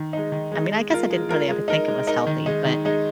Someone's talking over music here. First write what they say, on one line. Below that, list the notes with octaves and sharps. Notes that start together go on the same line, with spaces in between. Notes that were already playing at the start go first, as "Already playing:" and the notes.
I mean, I guess I didn't really ever think it was healthy, but
Already playing: D#3
G#3 D#4
D#3
G#3 D#4
G#3
F4 A#4
G#3
F4 A#4
G#3
D#4 A#4
G#3
D#4 A#4
D#3
G#3 D#4
D#3
G#3 D#4